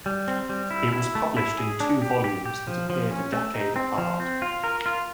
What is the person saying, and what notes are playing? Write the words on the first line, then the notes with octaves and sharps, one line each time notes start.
It was published in two volumes that appeared a decade apart.
G3
C4
G3
E4
E4
A3
E4
G#4
D4
G4
G4
G4
F3
F3
C#4
A3
D#4
C4
F3
C4
F4
A#4
F4